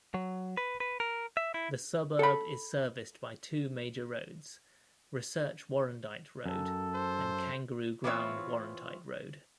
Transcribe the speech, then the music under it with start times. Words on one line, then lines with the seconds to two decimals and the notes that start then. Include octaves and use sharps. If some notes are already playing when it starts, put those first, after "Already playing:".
The suburb is serviced by two major roads; Research-Warrandyte Road and Kangaroo Ground-Warrandyte Road.
0.14 F#3
0.57 B4
0.80 B4
1.00 A#4
1.37 E5
1.54 E4
2.19 A4 B5
6.46 F#2 A4
6.94 C5
8.04 E3 B3 C4 F4 C#5 E5